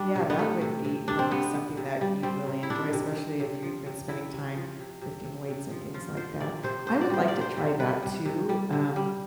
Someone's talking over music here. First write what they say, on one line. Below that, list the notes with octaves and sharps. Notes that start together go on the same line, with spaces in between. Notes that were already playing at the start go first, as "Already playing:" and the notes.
Yeah, that would be probably something that you'd really enjoy, especially if you've been spending time lifting weights and things like that. I would like to try that too, um,
Already playing: G3 D4
C3
B3
C3 A3
C3
C3
C3 D4
C4
C3 B3
C3
C3
G3
G3 C4
C3
E4
C3 D4
C3
C3
C3
F3
C3
C3 E4
C3
F3
C3
C3
C3
C3
F3
F3 F4
F3 C5
C3 D5
C3 C5
G3 C5
D5
G3 C5
D5
C3
C5
C3
G3 B4
G3
C3
G3
C3
G3